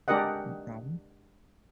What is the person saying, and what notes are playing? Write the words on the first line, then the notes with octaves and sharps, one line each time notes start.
No problem.
G#3 D4 G4 A#4 D#5 F#5